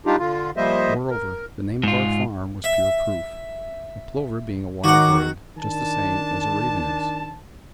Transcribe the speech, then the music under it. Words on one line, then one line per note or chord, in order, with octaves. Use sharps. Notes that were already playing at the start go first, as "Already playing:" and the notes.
Moreover, the name of our farm was pure proof; a plover being a wild bird, just the same as a raven is.
G3 D4 D#4 F4 G4
D3 F4
F3 G3 A#3 C5 D#5 E5
A#4
G#2 F4
E5
D#3 D#4 F#4 C#5 F#5 D6
D#3 D4 A5